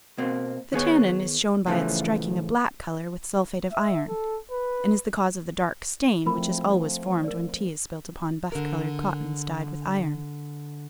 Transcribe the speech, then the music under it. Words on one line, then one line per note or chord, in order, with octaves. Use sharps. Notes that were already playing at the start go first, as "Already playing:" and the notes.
The tannin is shown by its striking a black colour with sulphate of iron, and is the cause of the dark stain which is always formed when tea is spilt upon buff-coloured cottons dyed with iron.
B2 A#3 C4
D#3 B3 G#4 C#5
A2 C#3 E3 F3 A3
E5
A4
B4
F3 A3 C4 E4 A#4 B5
A#4 D5
D3 A#4